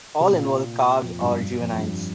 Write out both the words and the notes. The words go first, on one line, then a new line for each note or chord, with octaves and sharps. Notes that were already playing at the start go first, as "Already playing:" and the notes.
All involved calves or juveniles.
C3
A#2
F2
G2
G2
F2
G2